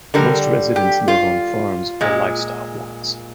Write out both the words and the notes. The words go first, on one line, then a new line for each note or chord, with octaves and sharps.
Most residents live on farms or lifestyle blocks.
D3 G3 A#4
G4
F4
A#2 G#3